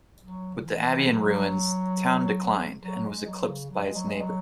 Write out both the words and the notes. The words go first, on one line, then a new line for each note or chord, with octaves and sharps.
With the abbey in ruins, the town declined and was eclipsed by its neighbour.
F#3
C#3
E3
F#3
F#3
G#3
F#3
C#3
F#3
G#3
F#3
G#3
F#3